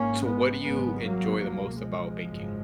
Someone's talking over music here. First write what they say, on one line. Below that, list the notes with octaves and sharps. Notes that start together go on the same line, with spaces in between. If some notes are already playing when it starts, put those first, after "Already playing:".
So what do you enjoy the most about baking?
Already playing: G#1 G#2 A#3 C#4
G#3 B3
G#1 F#2 C#3 G#3 B3
F#3 A#3
C#2 B2 F#3 A#3
F3 G#3
G#1 F#2 C#3